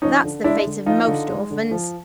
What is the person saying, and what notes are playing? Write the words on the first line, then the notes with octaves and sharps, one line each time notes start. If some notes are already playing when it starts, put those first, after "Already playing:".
That's the fate of most orphans.
F3 C#4 D#4
D3
G#3 D4 E4
D3
F3 D#4 F4
D3
G#3
D3
F3